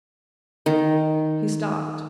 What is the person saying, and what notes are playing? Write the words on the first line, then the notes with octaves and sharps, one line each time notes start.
He stopped.
D#3